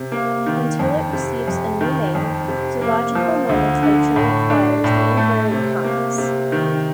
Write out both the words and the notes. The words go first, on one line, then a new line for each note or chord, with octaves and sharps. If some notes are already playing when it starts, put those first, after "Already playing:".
Until it receives a new name, zoological nomenclature requires the inverted commas.
Already playing: C3
A#3
D#3
F2
C3
F2
D#3
F2
C3
A#3
F3
D2
D3
A2
D4
A2
A3
C3
A#3
C3
D#3